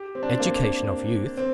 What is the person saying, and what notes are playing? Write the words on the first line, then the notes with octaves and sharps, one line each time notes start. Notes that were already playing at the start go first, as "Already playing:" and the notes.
Education of Youth.
Already playing: G4
C4
D4
C4
A#3
C4